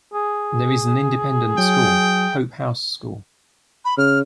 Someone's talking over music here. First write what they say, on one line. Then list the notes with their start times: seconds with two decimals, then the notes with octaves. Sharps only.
There is an independent school, Hope House School.
0.14 G#4
1.58 F#3 G5
3.84 B5
3.97 C#3 F6